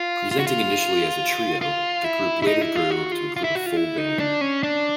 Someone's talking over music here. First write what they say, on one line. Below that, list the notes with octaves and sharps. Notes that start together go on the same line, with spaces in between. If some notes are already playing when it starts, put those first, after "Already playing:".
Presenting initially as a trio, the group later grew to include a full band.
Already playing: F4
F4
F#4
F4
F4
E4
E4
D#4
E4
F4
F#4
F4
F4
E4
F#4
F4
E4
D#4
D4
C#4
D4